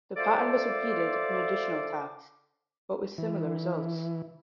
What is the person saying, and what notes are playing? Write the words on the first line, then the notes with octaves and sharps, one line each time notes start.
The pattern was repeated in additional attacks, but with similar results.
F4 A4 C5 D5 E5 D6
E3